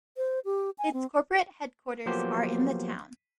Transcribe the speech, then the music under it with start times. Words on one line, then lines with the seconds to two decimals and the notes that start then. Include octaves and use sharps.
Its corporate headquarters are in the town.
0.17 C5
0.45 G4
0.78 G#5
0.93 C4
2.06 F3 F#3 A#3 B3 G4 C5